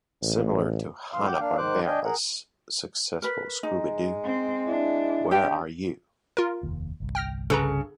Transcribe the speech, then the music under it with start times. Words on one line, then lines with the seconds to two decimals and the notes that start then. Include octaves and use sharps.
Similar to Hanna-Barbera's successful Scooby-Doo, Where Are You!
0.22 A1
1.13 F#2 A2 E3 F5 C6
1.26 F#5 G5 D6
1.40 A#3 D4 F5
1.58 G#2 D#3 C5 D6 F#6
1.87 D4 D#5 G5 G#5
2.04 G#4 A#4 F#5
3.22 A#4 B4
3.63 G#3 D#4
4.24 C4
4.67 D4 E4
5.31 G4 G5
6.37 F4 A#4
6.63 F1 D#2
7.00 G1 C2
7.15 G5 F6 A#6
7.50 C#3 A4 B4 A#5